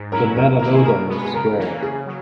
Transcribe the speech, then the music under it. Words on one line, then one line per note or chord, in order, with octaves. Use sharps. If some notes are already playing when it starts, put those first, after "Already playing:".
The Metanotum is square.
Already playing: G#2
F#3 C#4 E4 A#4
E2 A#4
D#3 A#3 E4 A#4
G#4
B2 A#4
G#3 B3
G#4
C#3 A#4
E3 A#3 C#4
C#3 G#4
F#3